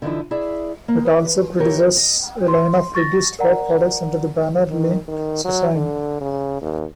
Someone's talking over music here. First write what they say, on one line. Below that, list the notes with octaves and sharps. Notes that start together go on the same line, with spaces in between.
It also produces a line of reduced-fat products under the banner Lean Cuisine.
D3 E3 F3 D#4 E4
E4 G#4 D5 E5
A#3
B4
E4 G4 A#4 C#5
D#5
C6
C#6 A6 A#6
A#4 D5 F#5 A#5
D#3
D#3
F#3
D3
C#3
D#2